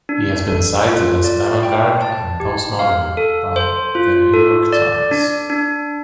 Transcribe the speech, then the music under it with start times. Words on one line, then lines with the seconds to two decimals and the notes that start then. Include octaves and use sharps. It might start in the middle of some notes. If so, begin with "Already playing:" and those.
He has been cited as avant garde and postmodern by "The New York Times".
0.09 D4
0.48 A4
0.86 F4
1.24 D5
1.63 G5
2.02 A5
2.40 G4
2.79 F5
3.17 A4
3.56 C5
3.95 F4
4.34 A4
4.73 D5
5.11 D4
5.50 D4